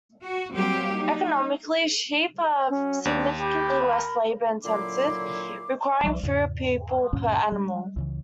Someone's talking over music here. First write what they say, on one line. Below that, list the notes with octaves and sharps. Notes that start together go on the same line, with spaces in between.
Economically, sheep are significantly less labour-intensive, requiring fewer people per animal.
F#4
F#3 G3 A#3 C4 G4
D#4
F#3 C#4
D#2 D4
G4 B5
A#4
A#2 D3 F#3 E4 C6 D6
C2 F3 G3
E2 G#2 C#3
D2 G2 A#2 C#4
G3 G#3
C#2 C#3 E3